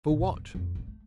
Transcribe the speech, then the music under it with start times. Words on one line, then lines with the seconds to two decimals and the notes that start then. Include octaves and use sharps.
For what?
0.09 A#2 E4
0.20 E2
0.35 F1
0.55 F2
0.75 G2 D3
0.87 A3